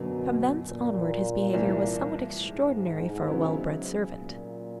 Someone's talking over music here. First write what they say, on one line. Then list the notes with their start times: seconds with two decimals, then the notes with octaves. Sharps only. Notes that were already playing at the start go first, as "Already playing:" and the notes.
From thence onward his behaviour was somewhat extraordinary for a well-bred servant.
Already playing: F#2 B2 D3 F#3 A#3 D4
0.67 A#2
1.54 C2 C3 E3
2.41 G#2
3.28 C#3 F#3 B3 E4
4.16 A#2